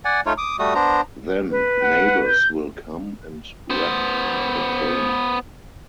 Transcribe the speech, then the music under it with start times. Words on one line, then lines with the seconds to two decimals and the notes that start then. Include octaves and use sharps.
Then neighbors will come and wrap the prey.
0.05 D5 F#5 G#5
0.26 A3 D#4 F4 C#5
0.38 D6 D#6
0.59 G3 A3 F#4 D#6
0.75 B3 D4 C5 A#5
1.51 B4
1.82 F#5
2.27 G6
3.70 B3 C5